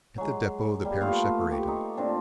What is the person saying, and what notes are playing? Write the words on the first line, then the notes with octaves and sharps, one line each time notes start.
At the depot the pair separated.
F#3 G#3
G3 A#3
A3 B3 F4 F5
G4 C#6
D#4
A#2 C4 D4